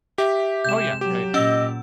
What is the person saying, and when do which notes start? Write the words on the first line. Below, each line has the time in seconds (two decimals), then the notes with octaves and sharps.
Oh, yeah, yeah.
0.18 G4 E5
0.65 C3 G#3 G6 E7
1.01 F#3 G4
1.34 A#2 C#4 D#5 E6